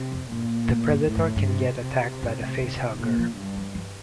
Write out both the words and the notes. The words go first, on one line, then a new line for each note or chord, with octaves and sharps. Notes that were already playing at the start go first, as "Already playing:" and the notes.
The Predator can get attacked by the Facehugger.
Already playing: C3
F2
G2 A#2
A2
G2
F2 A2
G2
F2
G2
C3
C3
G2
A2
D#3
D#3
A#2 F3
F3
G2
F3
F3